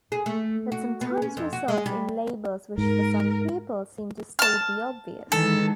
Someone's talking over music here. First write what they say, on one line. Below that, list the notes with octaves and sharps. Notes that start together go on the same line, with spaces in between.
That sometimes results in labels which for some people seem to state the obvious.
G#4
A3
F#4
B3
C#4
F2
F#4
G#3
G3
G#2 A#4
A5 F6
D#3 E3 G#3 A4